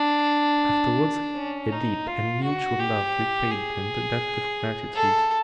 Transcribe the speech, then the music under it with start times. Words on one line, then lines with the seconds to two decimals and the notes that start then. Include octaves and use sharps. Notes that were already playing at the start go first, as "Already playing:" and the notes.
Afterwards a deep and mutual love repaid him the debt of gratitude.
Already playing: D4
1.36 C#4
1.72 D#4
2.08 F4
2.44 F#4
2.80 G4
3.51 G#4
4.95 A4